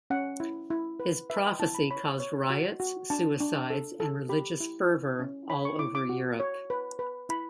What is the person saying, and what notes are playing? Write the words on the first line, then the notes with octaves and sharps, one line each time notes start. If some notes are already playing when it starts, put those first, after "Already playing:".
His "prophecy" caused riots, suicides, and religious fervour all over Europe.
C#4 F#5
E4
E4
B4
B4 E5
G5
E4 A5
B5
C#5 B5
C#5
F#4
F#4
D4 A5
D4
A4
A4
G4 B5
E4
E4
C#4
C#5 B5
C#6
E4 D6
D6
F#4
C#5
B4
B4
E4 B5